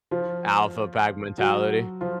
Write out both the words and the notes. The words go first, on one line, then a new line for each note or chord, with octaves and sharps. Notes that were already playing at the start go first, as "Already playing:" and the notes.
Alpha pack mentality.
F3 F4
F#3 F#4
F3 F4